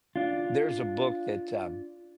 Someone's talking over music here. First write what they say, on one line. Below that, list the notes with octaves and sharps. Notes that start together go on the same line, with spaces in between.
there's a book that, uh,
D4 F4